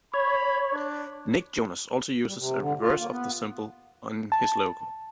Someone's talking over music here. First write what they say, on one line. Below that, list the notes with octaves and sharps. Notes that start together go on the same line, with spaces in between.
Nick Jonas also uses a reverse of the symbol in his logo.
C#5 B5
D4
G3
C3
D3
F4
A#3
B3
A5